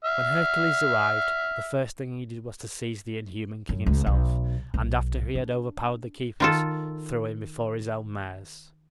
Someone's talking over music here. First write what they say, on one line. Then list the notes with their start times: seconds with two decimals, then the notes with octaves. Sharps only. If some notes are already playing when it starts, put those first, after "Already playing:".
When Hercules arrived the first thing he did was to seize the inhuman king himself and after he had overpowered the keepers, throw him before his own mares.
0.05 E5 F6
3.69 F#2
3.86 C#2
4.06 B1
4.74 B1
5.35 D4
6.40 D#3 F4 A4